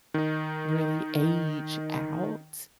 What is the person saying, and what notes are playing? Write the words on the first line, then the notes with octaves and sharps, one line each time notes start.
really age out.
D#3 D#4